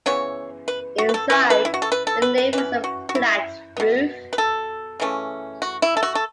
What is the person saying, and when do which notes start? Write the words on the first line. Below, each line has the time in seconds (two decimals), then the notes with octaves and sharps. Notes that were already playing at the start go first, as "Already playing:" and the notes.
Inside, the nave has a flat roof.
0.06 C#3 E3 B3 C#5
0.68 B4
0.98 F#4
1.09 B4
1.14 A4
1.30 E3 C#4 B4
1.50 B4
1.65 E4
1.74 F#4
1.82 A4
1.92 B4
2.07 A4
2.22 B4
2.38 B4
2.53 E3 C#4 B4
2.84 F#4
3.09 F#4
3.15 E4
3.77 B2 B3
4.33 B4
4.38 A4
5.00 C#3 E3 A3 C#4
5.62 F#4
5.82 E4
5.97 A4
6.03 F#4
6.15 A4